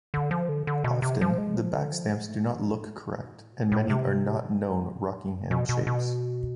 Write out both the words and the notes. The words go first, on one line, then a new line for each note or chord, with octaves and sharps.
Often the backstamps do not look correct, and many are not known Rockingham shapes.
D3
F3
D3
D3
B2
C3
F3
G#3
F3
D3
F3
G#3
A3
G#3
F3
A3
G#3
A2
B2
A2
B2
A2
C3
B2
B2
B2